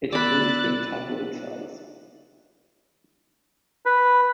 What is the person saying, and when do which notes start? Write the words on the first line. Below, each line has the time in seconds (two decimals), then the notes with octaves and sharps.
It has always been tabloid-size.
0.12 B3 D5 B5 E6 F#6 A6
3.86 B4